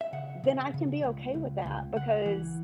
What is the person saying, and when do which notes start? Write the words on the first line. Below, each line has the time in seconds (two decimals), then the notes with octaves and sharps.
then I can be okay with that because,
0.01 E5
0.13 C#3 F#5
0.44 C#3
0.74 C#3
1.04 C#2
1.34 C#2
1.66 C#2
1.96 C#2 F#5
2.26 E3